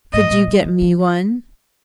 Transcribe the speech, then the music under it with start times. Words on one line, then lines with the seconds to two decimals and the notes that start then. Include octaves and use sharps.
"Could you get me one?"
0.13 G#2 D#5
0.30 A#2
0.47 G3
0.65 F3
0.82 F3